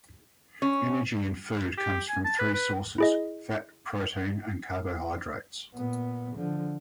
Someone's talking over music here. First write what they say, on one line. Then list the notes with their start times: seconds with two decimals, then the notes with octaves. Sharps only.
Energy in food comes from three sources: fat, protein, and carbohydrates.
0.62 C#4
1.77 G4
2.09 G#5
2.25 A5
2.39 B4
2.54 B4
2.98 E4 G#4 D#5
5.75 A#2 B3
6.36 D3 F3